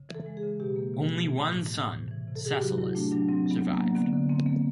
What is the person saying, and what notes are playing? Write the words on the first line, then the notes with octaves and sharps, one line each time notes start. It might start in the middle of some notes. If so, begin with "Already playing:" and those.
Only one son, Thessalus, survived.
Already playing: C#3
E3
A4
G#3
G#4
C#3
B2 G4
A#3
B2
B2
E3
A2
E3
A2
C3
E3
C3
A4
C3 G#4
G4
F#3 F#4
F#3 E4
A3 D4
F#3 D4
F#3 C4
F#3
B3
F#3
A#3
F#3
D3 B3
D3
A#3 C4
A#3